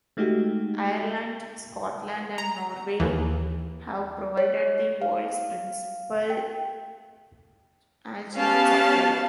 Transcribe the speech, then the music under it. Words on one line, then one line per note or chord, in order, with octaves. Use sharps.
Ireland, Scotland and Norway have provided the world's principal alginate supply.
G#3 A3 D#4 F#4 G4
A#5
D#2 E3
C#5
F5
G5
B3 C#4 G4 F5 A5